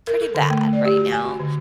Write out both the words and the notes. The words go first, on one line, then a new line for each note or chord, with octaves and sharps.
pretty bad right now.
A#4
A4
D3
A3
D5
G4
F#4
G#5
F#4
D3